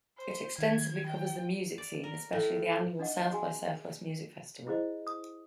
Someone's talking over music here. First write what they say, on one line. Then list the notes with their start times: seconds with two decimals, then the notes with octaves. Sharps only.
It extensively covers the music scene, especially the annual South by Southwest Music Festival.
0.18 C5
0.59 D#3 G#6
1.07 G5
1.78 D5
2.04 A#4
2.33 A2
2.99 D4 D#4 D#5 F#5
3.30 F#4 G#4 G#5
4.67 E4 G#4 C5 D#5
5.07 D#6